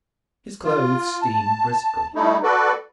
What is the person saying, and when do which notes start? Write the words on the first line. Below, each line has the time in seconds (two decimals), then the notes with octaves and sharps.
His clothes steamed briskly.
0.64 F4
1.22 A5
2.15 G3 A3 D#4 E4
2.43 F#4 A4 B4 D5